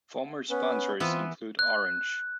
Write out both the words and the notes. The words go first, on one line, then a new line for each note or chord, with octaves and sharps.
Former sponsors include Orange.
B3 C#4 B4
E3 B3 C4 F4
F#6